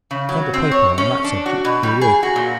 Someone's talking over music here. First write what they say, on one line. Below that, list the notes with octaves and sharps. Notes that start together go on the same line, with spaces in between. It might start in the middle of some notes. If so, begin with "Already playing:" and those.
I send a paper on that subject, herewith.
C#3
F#3
C4
C#5
C#4
D4
F#4
B2
G3
G#4
F#4
A#2